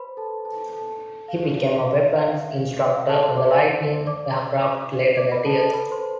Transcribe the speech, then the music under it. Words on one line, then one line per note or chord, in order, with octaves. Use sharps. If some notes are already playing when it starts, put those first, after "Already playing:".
He became a weapons instructor on the Lightning aircraft later that year.
Already playing: B4 C5 B5 C6
A4 A5
A4 A5
A4 A5
F5
F5
E5
F5
F5
E5
F5
A4 A5
C5 C6
D5 D6
E5 E6
D5 D6
D5 D6
D5 D6
B4 B5
A4 A5
A4 A5
B4 B5
C5 C6